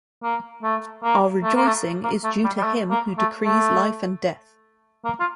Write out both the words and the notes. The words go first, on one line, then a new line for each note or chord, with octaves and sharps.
Our rejoicing is due to Him who decrees life and death.
A#3
A3
A#3
A3
A#3
A3
A#3
A3
G3
G3
A3
A#3
A3
A3
A#3
F4